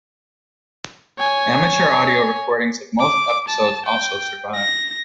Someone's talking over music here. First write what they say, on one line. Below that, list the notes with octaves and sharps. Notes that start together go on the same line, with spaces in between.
Amateur audio recordings of most episodes also survive.
C#5 G#5
D6
A5
G5
A#6